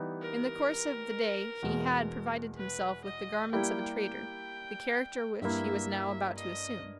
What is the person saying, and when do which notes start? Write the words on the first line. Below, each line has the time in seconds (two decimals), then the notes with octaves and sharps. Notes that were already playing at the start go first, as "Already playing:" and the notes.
In the course of the day he had provided himself with the garments of a trader, the character which he was now about to assume.
Already playing: E3 G3 B3 D#4 G4
0.21 A#4
1.62 E2 B2 G#3
2.58 B4
3.05 D#5
3.52 G3 A#3 E4 G4 G5
4.00 G5
5.42 G2 G3 A#3 E4 E5
6.37 D#5